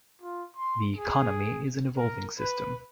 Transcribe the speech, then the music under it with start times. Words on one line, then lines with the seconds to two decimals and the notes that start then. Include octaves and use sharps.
The economy is an evolving system.
0.21 F4
0.56 C6
0.96 G#4
1.96 A#4
2.39 B4